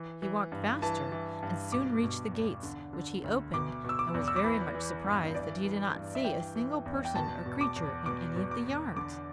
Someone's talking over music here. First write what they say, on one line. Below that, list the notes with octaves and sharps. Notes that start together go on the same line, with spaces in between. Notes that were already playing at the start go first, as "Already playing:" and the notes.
He walked faster, and soon reached the gates, which he opened, and was very much surprised that he did not see a single person or creature in any of the yards.
Already playing: E3
E3
G2
E3 A5
E3
G2
B2 D6
B2
E2
D3
D3
D2
B2 D6
B2 E6
D6
E2
E6
D6
E3 B5
E3
G2
E3 D5
E3
G2
E5
E3 G5
E3
E2
G5
B2 A5
B2
D6
E2
B2 D6
B2
D6
E2
D3 D6